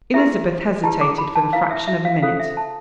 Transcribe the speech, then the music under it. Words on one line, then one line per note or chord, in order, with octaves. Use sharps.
Elizabeth hesitated for the fraction of a minute.
E4 G4 B4 E5
E4 G4 B4 A5
D6
B5
A5
E4 B4 F5
E5
E5
F5
F4 A4 C5 F5
E5
A5